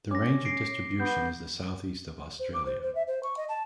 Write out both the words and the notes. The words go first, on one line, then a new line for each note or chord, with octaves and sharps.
The range of distribution is the south east of Australia.
C#4 D6 A#6
A#6 C7 D7
B3 G6
C5
D6
C5
C5
E5
C5
C#6
D#5
A5